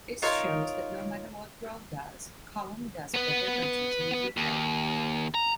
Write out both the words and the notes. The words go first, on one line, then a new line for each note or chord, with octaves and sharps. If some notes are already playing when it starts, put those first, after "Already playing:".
This shows that no matter what row does, column does better by choosing "Defect".
D#4 F4 A#4 C#5
B3 B4
D#2
A#5